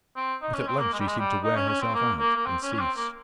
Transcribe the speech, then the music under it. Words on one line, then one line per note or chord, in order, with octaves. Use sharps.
But at length she seemed to wear herself out and cease.
C4
D#4
C#4
C4
A#3
G#3
G3
G#3
G3
D#4
C#4
C#4
C4
A#3
A#3
A#3
C4
C#4
C#4
C4
A#3